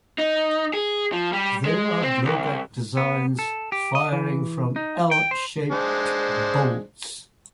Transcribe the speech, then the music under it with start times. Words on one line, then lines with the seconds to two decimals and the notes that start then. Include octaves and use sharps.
They are blowback designs firing from "L"-shaped bolts.
0.18 D#4
0.73 G#4
1.12 F3
1.32 G3
1.65 G#3
2.02 C4
2.25 C2
2.97 B3
3.39 A4
3.72 G4
3.95 D#5
4.12 E3
4.76 D#4
5.11 G5
5.31 C5
5.71 G#3 D4 C5